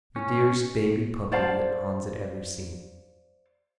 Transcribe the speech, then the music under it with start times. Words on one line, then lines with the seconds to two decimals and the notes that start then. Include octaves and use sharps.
The dearest baby puppy that Hans had ever seen.
0.16 C#4
1.32 C5 D5 F5 A5